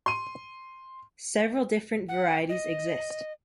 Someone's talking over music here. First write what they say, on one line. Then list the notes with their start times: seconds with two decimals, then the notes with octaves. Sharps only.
Several different varieties exist.
0.06 C6 D#7
2.08 F#5
2.49 D#5